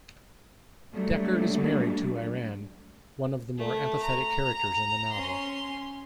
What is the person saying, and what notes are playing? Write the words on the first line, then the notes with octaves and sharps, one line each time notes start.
Deckard is married to Iran, one of the more empathetic characters in the novel.
F#3 G3 A3 A#3 D4
A3
A#5
C#4 C6